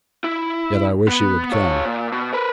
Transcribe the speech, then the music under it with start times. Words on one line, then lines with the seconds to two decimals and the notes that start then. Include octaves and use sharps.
Yet I wish he would come.
0.24 E4
1.08 B3
1.52 F4 C#5
1.85 A#2
2.12 B2
2.33 A#4 B4